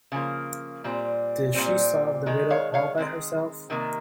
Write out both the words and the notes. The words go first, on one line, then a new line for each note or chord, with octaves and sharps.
Did she solve the riddle all by herself?
C#3 F3 A#3
A#2 G3 C4
A#2 G3 C4
D#3 G#3
C#5 F5
C#5 F5
D#3 G#3 C4
C3 D#3 A#3